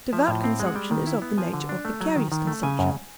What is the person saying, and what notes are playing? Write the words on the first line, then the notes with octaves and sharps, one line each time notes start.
Devout consumption is of the nature of vicarious consumption.
F3 E5
A2
C4 F5
G#3
F#5
G3 G5
D#3
E4
B3
F3 G#5
D3
D4
A3
F#3
D#3
D#3
A3
C#3 G#5
F#2